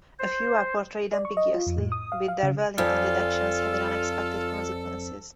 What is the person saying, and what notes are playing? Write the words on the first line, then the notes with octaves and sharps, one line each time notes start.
A few are portrayed ambiguously, with their well-intended actions having unexpected consequences.
C5
D5
C#6
D#5
F4
F2
A2
D#6
F5
F5
C#3
F2 F4 A4 D5 G#5